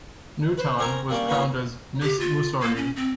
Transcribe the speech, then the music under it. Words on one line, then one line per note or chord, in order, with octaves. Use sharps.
Nutan was crowned as Miss Mussorie.
B4 C5
C4 C#4 A#4 G#5 A#5
G3 A#3 C#4 D5
A#3 B3 C#4 D#4 F4
G4
F4
A#3
C#4
C4